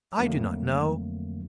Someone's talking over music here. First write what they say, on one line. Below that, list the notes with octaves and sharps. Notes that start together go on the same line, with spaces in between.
I do not know.
F2 D3 F#3 A3 A#3